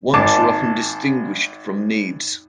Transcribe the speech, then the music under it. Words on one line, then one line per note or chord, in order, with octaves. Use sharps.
Wants are often distinguished from needs.
G#1 A5 D6